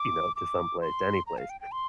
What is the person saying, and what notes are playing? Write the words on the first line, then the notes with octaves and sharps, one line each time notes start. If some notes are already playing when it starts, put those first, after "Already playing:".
you know, to someplace, to anyplace.
Already playing: D6
D6
C6
A#5
F5
G5
G5
C6